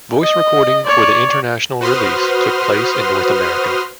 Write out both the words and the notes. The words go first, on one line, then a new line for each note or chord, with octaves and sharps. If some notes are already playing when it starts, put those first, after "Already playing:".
Voice recording for the international release took place in North America.
D#5
C#5 D5
F#4 B4 C5 C6 D#6 F6